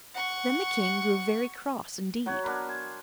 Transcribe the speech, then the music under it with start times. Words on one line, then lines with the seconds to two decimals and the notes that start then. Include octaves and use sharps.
Then the king grew very cross indeed.
0.15 F#5 C#6
2.26 F#3 F#4 C#5
2.44 B3 D4 A#4 B4
2.67 C5 G#5